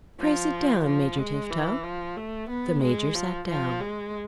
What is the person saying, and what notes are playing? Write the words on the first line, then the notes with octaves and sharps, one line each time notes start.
"Pray sit down, Major Tifto." The Major sat down.
F3
F3
G#3
E3
F3
A3
B3
G#3
F3
F3
G#3